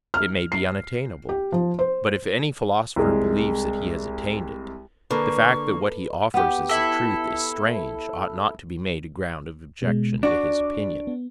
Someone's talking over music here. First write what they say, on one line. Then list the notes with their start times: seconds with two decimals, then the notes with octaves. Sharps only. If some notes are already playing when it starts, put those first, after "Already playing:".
It may be unattainable, but if any philosopher believes that he has attained it, the fact that what he offers as the truth is strange ought not to be made a ground of objection to his opinion.
0.14 F6
0.52 C7
1.29 G4
1.52 F3
1.79 C5
2.96 C2 G#3
5.11 D3 A#3 B4 C#6
6.34 B3 G4
6.69 E4 A4
9.82 B2 G#3
10.23 D4 F#4 D5 D6
11.07 B3